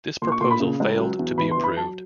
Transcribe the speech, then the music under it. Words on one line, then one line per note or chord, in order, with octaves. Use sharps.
This proposal failed to be approved.
A#2 C6
C#6
A#2 C6
B5
C#3
C#2
F#3
E2
E3 B5
C6
E3
B5
F#3 A5